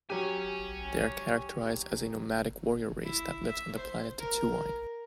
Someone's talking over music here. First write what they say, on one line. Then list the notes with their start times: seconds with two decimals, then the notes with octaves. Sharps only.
They are characterized as a nomadic warrior race that lives on the planet Tatooine.
0.10 F#3 G4 C#5 G#5
3.04 E4
3.46 E5
3.76 C5
4.19 A#4